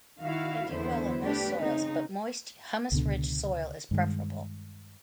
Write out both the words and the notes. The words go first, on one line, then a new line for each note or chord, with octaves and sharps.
They do well in most soils, but moist, humus-rich soil is preferable.
D#3 E4 F#4 F5
E2 D3 B3 E4 C5
A3 D4 G4 B4
C#3 C4 D#4
C#2 B2 D3
G2 D#3 G#3